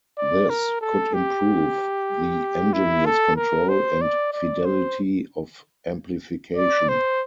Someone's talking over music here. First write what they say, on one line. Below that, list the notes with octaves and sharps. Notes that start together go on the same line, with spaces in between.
This could improve the engineer's control and fidelity of amplification.
D5
A#4
A4
G4
E4
A4
A#4
C5
D5
D5
C5
D5
C5